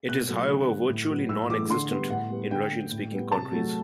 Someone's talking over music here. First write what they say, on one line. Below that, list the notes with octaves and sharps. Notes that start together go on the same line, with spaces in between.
It is however virtually non-existent in Russian-speaking countries.
B2 F#6
F#3 A3
D3
G3 B3
A2
F#3 B3
A2 E6
E3 A3 D6
D3 C6
G3 B3
A2 F#5
G3 B3
D3 G5
A3
A2
G3 B3
C3 A5
F#3 A3